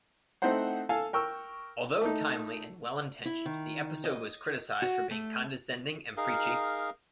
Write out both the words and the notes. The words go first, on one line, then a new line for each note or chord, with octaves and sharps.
Although timely and well-intentioned, the episode was criticized for being condescending and preachy.
A3 C4 D#4 E4 C5 F#5
A4 F5 G#5 A5
A#4 G5 C#6 E6
A3 D#4
E4
D#3
D#5
F#4
A3
D#4 G#4 A#4 F5